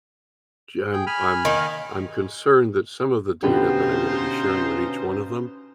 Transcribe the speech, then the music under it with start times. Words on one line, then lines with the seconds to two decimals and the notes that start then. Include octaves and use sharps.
ju um, I'm I'm concerned that some of the data that I'm going to be sharing with each one of them
0.93 G#4 G5
1.07 G#5 B5 F6
1.45 D#3 A#3
3.43 B2 D3 C#4 D#4 F4 G4 B4 C5